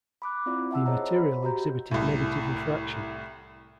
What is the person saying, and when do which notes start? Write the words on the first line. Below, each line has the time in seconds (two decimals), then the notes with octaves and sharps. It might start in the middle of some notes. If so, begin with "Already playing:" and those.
The material exhibited negative refraction.
0.22 B5 D6 F#6
0.46 C4 E4 F4 D5
0.71 E5 F#5 A5 E6
0.86 G#4 C5 C#5 D#5 F#5 A#5
1.12 C5 B5
1.43 F#4 G4 A#5 G6
1.91 C2 A2